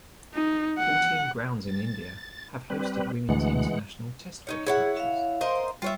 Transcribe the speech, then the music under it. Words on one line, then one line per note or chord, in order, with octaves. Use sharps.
Fourteen grounds in India have hosted women's international Test cricket matches.
D#4
F#5
A6
G3 C4 B4
D2 E3 G#3 F#5
C#4 D#4 C#5
E4 G#4 C#5 F#5
E5 F5
A#4 C5 D#5
G3 F4 C#5 E5